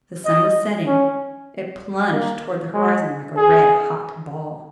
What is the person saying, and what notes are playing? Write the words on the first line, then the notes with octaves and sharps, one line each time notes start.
The sun was setting; it plunged toward the horizon like a red-hot ball.
D#5
C#4
A#3
G#3
G#4